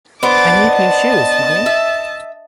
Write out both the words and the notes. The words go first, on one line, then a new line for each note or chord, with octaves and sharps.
I need new shoes, mommy!
B3 D4 C5 D6 A6
D#5 A5
E5